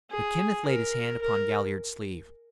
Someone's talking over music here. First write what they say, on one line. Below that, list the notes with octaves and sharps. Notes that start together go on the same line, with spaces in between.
But Kenneth laid his hand upon Galliard's sleeve.
G#4
A#4
A#4